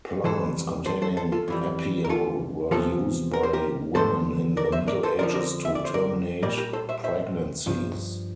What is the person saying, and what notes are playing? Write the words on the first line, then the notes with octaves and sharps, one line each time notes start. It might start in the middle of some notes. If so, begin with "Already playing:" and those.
Plants containing apiole were used by women in the Middle Ages to terminate pregnancies.
F2 E3 G3 A4 C5
A4 C5
A4 C5
A4 C5
F4 A4
F2 E3 G3
A#4
F4 A4
E2 C3 F3 F4 A4
A#4
C5
G4 A#4
E2 D3 F3 A4 C5
A#4 D5
C5 E5
A#4 D5
A4 C5
F2 D3 F3 A#4 D5
A#4 D5
E5
D5
C5
A#4 D5
A#2 G3 A#4 D5
G4 A#4
A4 C5
C5 E5
C5 E5
G2 F3